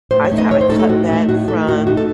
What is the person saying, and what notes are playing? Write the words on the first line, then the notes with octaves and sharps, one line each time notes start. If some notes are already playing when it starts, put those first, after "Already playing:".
I kinda cut back from
A2 C5
C#5
A3 D#4
D#5
A2 C#5
C5
A3 D#4 A4
A4
A2 F#4
A3 D#4
A2 F#4
A3 D#4 A4
A2 F#4
A3 D#4 F#4
A4